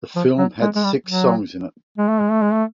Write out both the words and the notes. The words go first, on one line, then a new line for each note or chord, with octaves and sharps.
The film had six songs in it.
F3
F#3
G#3
G#3
G3
F#3
G#3
A3
G#3
A3
G#3
A3